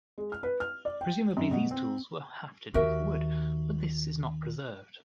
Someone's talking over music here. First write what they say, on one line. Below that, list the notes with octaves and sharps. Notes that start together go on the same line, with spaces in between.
Presumably these tools were hafted with wood, but this is not preserved.
G#3
F6
B4
F6
D5
G5
F#2
B2
C4
D#2 D#3 F#4 A#4 E5